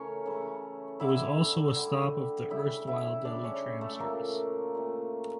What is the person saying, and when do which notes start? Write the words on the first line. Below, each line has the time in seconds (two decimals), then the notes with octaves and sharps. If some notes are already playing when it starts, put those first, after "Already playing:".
It was also a stop of the erstwhile Delhi Tram Service.
Already playing: C#3 E3 A3 C#4 A#4 C#5
0.26 C#3 E3 A3
1.00 D3 G3 E4 E5
1.75 D3 G3
2.50 C#3 G3 E4 E5
2.87 E4 E5
3.25 C#3 G3 D4 D5
3.44 C#4 C#5
3.81 A3 A4
4.00 A#2 A3 A#3 A#4
4.75 A#2 A3